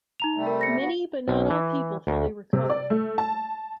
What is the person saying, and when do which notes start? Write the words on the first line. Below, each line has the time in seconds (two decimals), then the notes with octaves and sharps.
Many but not all people fully recover.
0.20 D#4 A#5 F7
0.35 C3 G3 A3
0.47 A#4
0.61 A#6 C#7
0.78 F3 B3 F#4
1.28 B1
1.50 E3
2.07 D2
2.53 C3
2.70 D5
2.90 A3
3.18 A5